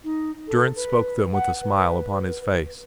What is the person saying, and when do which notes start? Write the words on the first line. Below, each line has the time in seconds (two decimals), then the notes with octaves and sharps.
Durrance spoke them with a smile upon his face.
0.04 D#4
0.48 A4
0.76 B4
1.33 F#5
1.62 B4